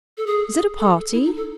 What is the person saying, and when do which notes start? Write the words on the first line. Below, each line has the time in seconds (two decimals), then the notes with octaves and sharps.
Is it a party?
0.17 A4
0.27 G#4
0.78 A4
1.13 E4
1.25 D#4
1.37 A4